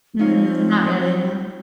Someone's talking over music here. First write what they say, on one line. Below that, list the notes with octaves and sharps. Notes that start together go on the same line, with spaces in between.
Mm, not really, yeah.
F3 C4 D#4 C#5 F5